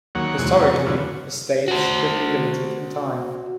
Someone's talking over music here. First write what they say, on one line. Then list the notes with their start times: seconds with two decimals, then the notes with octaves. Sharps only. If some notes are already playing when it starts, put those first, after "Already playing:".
Historically, estates could be limited in time.
0.15 D#2 F#3 A#3 C#5 F#5
0.39 E2 C3 G#3 C#6
0.86 G#2 D3 E3 F#3 B3 F4
1.68 F#4 C5